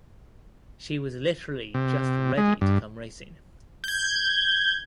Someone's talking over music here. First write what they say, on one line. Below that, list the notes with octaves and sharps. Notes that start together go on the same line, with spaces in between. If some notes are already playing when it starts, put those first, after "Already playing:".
She was literally just ready to come racing.
C3
G#3
G2
G6 G#6